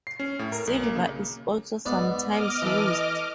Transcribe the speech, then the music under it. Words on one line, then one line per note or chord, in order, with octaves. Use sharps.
Silver is also sometimes used.
C7
C#4
A2
A#4
B1
A#3
C#3
G#2 B3 D5
D#5 D6 F6
E3 A4